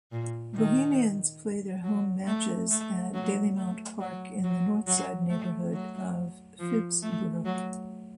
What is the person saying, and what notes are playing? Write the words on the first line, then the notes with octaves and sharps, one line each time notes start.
Bohemians play their home matches at Dalymount Park in the Northside neighbourhood of Phibsborough.
A#2
D#3
F#3
A3
A3
F#3
A3
F#3
F#3
F#3
A3
F#3
F3
A3
F#3